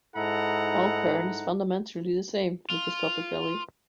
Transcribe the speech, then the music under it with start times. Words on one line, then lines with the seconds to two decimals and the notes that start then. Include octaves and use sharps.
All current is fundamentally the same, microscopically.
0.17 G#2 D#4 E4 A4 F#5 A#5
2.70 F4